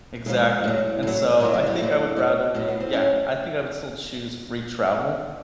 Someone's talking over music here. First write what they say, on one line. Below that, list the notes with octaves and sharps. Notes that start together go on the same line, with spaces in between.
Exactly, and so I think I would rather be yeah, I think I would still choose free travel,
D#2 D3 F3 G#3
A2 F#3
A2 F#3
A2 F#3 G3
F#3
G3
A2 F#3 A#3
A2 F#3
A2 F#3 B3
B3
C4
A2 F#3 C#4